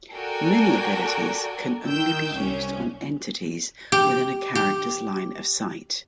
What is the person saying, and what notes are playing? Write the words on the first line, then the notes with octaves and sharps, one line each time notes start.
Many abilities can only be used on entities within a character's line of sight.
F#4 A4 A#4 D5 G5 G#5
D#3 G5 E6 G6
C2 C#4
G4
G4